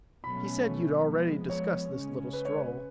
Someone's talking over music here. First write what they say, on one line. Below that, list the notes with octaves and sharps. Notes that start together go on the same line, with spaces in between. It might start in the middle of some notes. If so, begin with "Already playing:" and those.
"He said you'd already discussed this little stroll."
B2 F#3 A3 C#4 B5
F3 G#3 B3
C#5
C#3 G#3 C#4
B4
C#5
B4